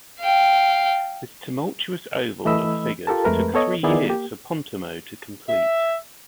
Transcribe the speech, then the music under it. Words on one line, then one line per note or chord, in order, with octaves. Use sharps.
This tumultuous oval of figures took three years for Pontormo to complete.
F5 G5
E3 A3 D#5 B5 E6
F4 G4 A4 A#4 A5
F2 G#3 A3 A#4 B4
B3 A4 C#5 D#5
D#3 B3 D#4 E4 G#4 D5
A#3 G4
E5